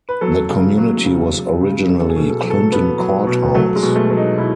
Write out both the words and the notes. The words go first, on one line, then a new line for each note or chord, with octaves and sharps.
The community was originally Clinton Courthouse.
B4
F#3 A4
C#3
F#3
C#3
F#3
C#3
F#3 A4
A4
G#4
B2
A4
F#3
A4
B2 B3
F#3
B2
F#3 A3
G#3
B2
A3
F#3
D#4
B2 E4